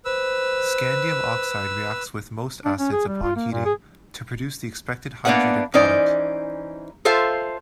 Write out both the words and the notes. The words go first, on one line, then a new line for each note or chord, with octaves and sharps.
Scandium oxide reacts with most acids upon heating, to produce the expected hydrated product.
B4 C5 E6
D4
C#4
G#4
G3
F4
A#3
A#2
G#4
A#3 B3 D4 B4 E5 F#5
E3 C#4 D#4 C5 D5
F4 A4 C5 E5 F5